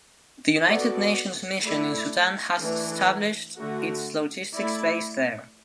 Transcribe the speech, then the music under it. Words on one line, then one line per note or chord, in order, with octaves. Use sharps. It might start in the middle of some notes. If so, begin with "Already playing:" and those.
The United Nations Mission in Sudan has established its Logistics Base there.
B3 F#4 A4 D5
A3 E4 A4 D5
E3 A3 D4
D3 A3 F#4
A3 E4 D5